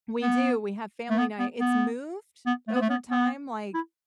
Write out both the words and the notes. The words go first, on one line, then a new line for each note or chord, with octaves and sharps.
We do, we have family night. It's moved over time, like,
B3
A3
B3
B3
B3
B3
A3
B3
A3
B3
B3
E4